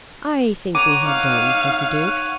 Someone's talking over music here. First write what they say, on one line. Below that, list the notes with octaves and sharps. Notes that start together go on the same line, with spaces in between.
"I think we had done," said the Duke.
C#5 F#5 A#5 D6 D#7 F7
D#4 F5